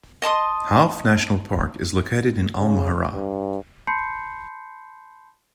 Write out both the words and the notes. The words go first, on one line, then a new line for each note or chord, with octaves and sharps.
Hauf National Park is located in Al Mahrah.
D#5 A5 C6 D#6
C#3
G2
A5 B5 C6 G6 C7 C#7